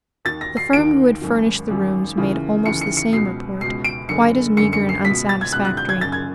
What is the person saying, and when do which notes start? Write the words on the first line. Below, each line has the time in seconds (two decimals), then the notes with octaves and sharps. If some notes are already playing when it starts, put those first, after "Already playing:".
The firm who had furnished the rooms made almost the same report, quite as meagre and unsatisfactory.
0.25 D#2 D#3 A6
0.41 A#6
0.57 C7
0.73 D#2 D#3 D7
1.21 G#1 F#2 D#3
1.69 G#1 F#2 D#3
2.17 D#2 C#3 E3
2.65 D#2 C#3 E3 C#7
2.81 C#7
2.97 C#7
3.13 C#2 B2 C7
3.61 C#2 B2 C7
3.84 D7
4.09 F#1 F#2 D3 C#7
4.57 F#1 F#2 D3 C#7
4.73 C#7
4.89 C7
5.05 C#2 B2 B6
5.29 A6
5.41 G#6
5.53 C#2 B2 F#6
5.65 F#6
5.77 G6
5.89 G#6
6.01 F#1 F#2 C#3 A6
6.12 G#6